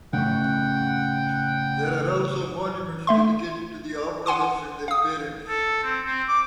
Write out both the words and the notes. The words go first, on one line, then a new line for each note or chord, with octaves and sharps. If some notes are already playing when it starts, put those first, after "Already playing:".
There are also monuments dedicated to the Aw brothers and their parents.
F#2 A2 C#3 A3 C#4 F#5 G5
A3 E5 C6
F#5 G#5 C6 D6
F5 D#6
A4
C4
C4
D6